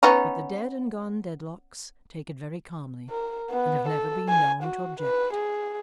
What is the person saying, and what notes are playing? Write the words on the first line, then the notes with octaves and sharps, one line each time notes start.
But the dead-and-gone Dedlocks take it very calmly and have never been known to object.
B3 C#4 D#4
A#4
B3
A4
G#5
F#4
B4
G#4